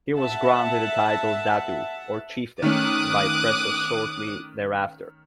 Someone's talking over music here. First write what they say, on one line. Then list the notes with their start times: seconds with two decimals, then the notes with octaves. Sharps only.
He was granted the title "Datu", or chieftain, by Presas shortly thereafter.
0.17 E5 F#5 A5
2.62 D#3 A3 C#4 D6 D#6 F#6